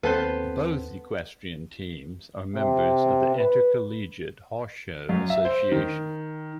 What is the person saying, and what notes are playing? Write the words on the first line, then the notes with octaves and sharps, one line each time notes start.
Both equestrian teams are members of the Intercollegiate Horse Show Association.
D#2 B3 C4 A4 B4 C5
C3
B4
F#2
E5
C5
D#3